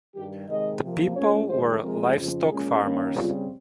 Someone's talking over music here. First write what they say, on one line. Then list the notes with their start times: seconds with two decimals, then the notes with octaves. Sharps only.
The people were livestock farmers.
0.15 G2 D#3 G3 G4
0.49 C3 D#3 G#3 D#5
0.82 C3 F3 A#3
1.16 A#2 G#3 C#4 C#5
1.49 F2 C3 D#3 G#3 C5
1.82 C3 F3 G#3 C4 A#4
2.16 F2 C#3 F3
2.49 A#2 G#3 C#4 G#4
2.83 D#2 D#3 A#3 C#4
3.16 C#3 G3 C4 F4